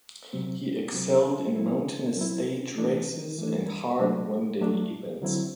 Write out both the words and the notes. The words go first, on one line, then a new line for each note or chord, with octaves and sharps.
He excelled in mountainous stage races and hard one-day events.
C3 F#3 C4
C3 F#3 C4
F#3 C4 E4
F#3 C4 E4
E3 A3 D4
E3 A3 D4
F#3 A3 D4
F#3 A3 D4
D3 F#3 C4 E4